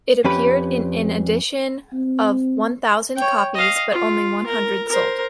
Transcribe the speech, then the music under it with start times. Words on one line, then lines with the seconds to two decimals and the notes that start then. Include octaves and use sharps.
It appeared in an edition of one thousand copies, but only one hundred sold.
0.24 F2 C#4 G4 B4 B5
1.93 C4
3.16 C#5 G5
3.54 D#5 F5
3.91 F4
4.47 A#4
4.88 A#4 C5